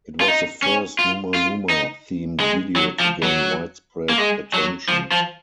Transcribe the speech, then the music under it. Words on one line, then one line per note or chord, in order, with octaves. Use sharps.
It was the first Numa Numa-themed video to gain widespread attention.
F4
D#4
C#4
F4
F4
D#4
G#3
F#3
F3
F#3
A#3
G#3
F#3
F3
F3